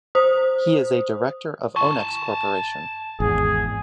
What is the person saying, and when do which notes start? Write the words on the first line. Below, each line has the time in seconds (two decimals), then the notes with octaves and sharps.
He is a director of Onex Corporation.
0.15 C5 D#6
1.76 G#5 A5 C#6
3.20 G#1 E2 G#4